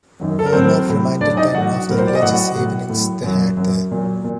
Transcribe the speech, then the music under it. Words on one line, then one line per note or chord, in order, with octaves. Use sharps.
Omer reminded them of the religious evenings they had there.
F#2 D#3 F#3
A4
A#4
A2 F#3 C4 C5
A2 F#3
A2 F#3 D4 D5
D#4 D#5
A2 F#3 F#4 F#5
A2 F#3 A#4
C5
D5
D#5
A2 F#3 F#4 F#5
A2 F#3
A2 F#3
F#2 F#3
F#2 F#3
A#2 F#3
A#2